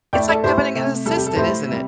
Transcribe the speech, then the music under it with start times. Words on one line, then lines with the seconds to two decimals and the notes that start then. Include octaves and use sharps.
It's like having an assistant, isn't it.
0.13 A2 A3 D5 G5
0.29 A4 D5
0.44 A2 A3 G4 C5
0.75 C3 A3
1.06 C3 G3 A4
1.16 G4
1.27 A4
1.36 A2 A3 G4 C5
1.68 C3 G3